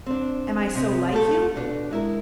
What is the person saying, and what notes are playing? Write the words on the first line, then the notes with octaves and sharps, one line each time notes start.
"Am I so like you?"
C4 D4
C3
A3 G4 A4
B2 D4
G#3 E4 A#4